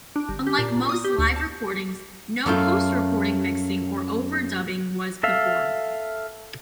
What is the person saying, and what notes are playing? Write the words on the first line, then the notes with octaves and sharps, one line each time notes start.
Unlike most live recordings, no post-recording mixing or overdubbing was performed.
D4
G1
G4
A#2
A#2
D#6
G4
D2
A5
F#2 A3 F4 G5
A4 E5 F5